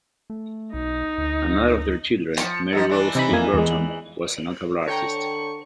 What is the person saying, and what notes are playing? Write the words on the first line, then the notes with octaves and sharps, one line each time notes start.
Another of their children, Mary Rose Hill Burton, was a notable artist.
A3
B1 D#4
D2
F3 C#7
G#2 F3 D#4
E3 D4
C3 E3 D#4 B5
F2 A#3 G#5
E2 G#3
D3 C#5 G5 A#5 C#6